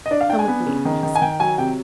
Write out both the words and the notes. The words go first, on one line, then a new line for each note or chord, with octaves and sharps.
'Come with me,' she said.
D#5
D4 D5
F5
D4 G5
G#5
B3
C#3
D#3
D#3
G#5
D#3 G5
F#3 G#5
C3 G5